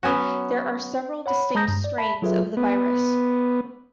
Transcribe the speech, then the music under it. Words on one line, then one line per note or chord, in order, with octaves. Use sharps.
There are several distinct strains of the virus.
F#3 B3 C#4 F#4
C#5 F#5 B5
G#3 A5 A#5 D#6 G6 A#6
G2
D5
E5 A5 B5 B6
F#3 F4 G#4 A4 B4 E5
B3